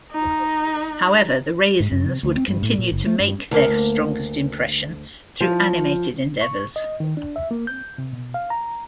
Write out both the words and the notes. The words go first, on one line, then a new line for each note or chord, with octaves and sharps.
However, the Raisins would continue to make their strongest impression through animated endeavors.
D#4
G#2
F#2
C3
D2
C4
G2
A2
A#2
F#1
A3
G2
D2 A#3
F3
C#6
D#5
D#3
D4
E5
A#3
G6
C3
B2
F5
A#5